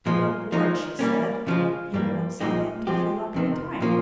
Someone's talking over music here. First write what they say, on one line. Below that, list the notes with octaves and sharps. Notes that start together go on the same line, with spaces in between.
You're bored, she said, you want something to fill up your time.
A#2 F3 G#3
F3 G#3 D#4
G3 A#3 C#4
C#3 F3 G#3
G2 G3 A#3
A#2 F3 G#3 D#4 G4
F3 G#3 C4 G4
F2 C3 D#3
A#2 F3 A#3 C#4 F4